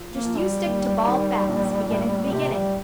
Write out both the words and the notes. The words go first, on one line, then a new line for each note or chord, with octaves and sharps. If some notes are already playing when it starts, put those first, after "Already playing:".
Just you stick to bald facts. Begin at the beginning.
Already playing: F3
A#3
F3
G3
D#2
D#3
A#1
A2
C3 G4
G3